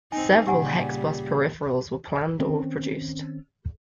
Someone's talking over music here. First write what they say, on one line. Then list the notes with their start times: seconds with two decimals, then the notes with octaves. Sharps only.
Several HexBus peripherals were planned or produced.
0.12 C4 D#4 G#5
0.47 A#2 C#3 G3 G4 F#5 G#5
2.39 D#3 C4 C#4